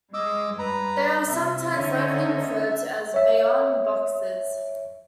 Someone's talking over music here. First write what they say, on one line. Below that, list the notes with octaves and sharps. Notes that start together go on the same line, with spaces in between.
They are sometimes locally referred to as "Bayonne Boxes".
G#3 D#5 D6 E6
G2 B4 A#5
C3 E5
D3 C#4 D#4
C#5 E5